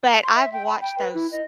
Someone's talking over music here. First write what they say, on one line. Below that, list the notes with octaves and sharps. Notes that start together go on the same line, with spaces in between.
But I've watched those
C6
E5
G5
B5
G5
B4
E4
D#5